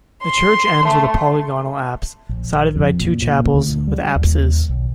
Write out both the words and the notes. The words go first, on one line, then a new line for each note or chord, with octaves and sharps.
The church ends with a polygonal apse, sided by two chapels with apses.
C6
A3
A#1
F2
A#2
A#2
D2
G3
D#2
B1